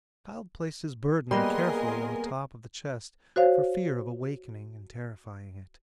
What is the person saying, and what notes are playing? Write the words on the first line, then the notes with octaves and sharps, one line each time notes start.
The child placed his burden carefully on the top of the chest, for fear of awakening and terrifying it.
G3 A#3 B3 G#4 A#4 D#5 G#5 C6
F#4 C5 C#5 F5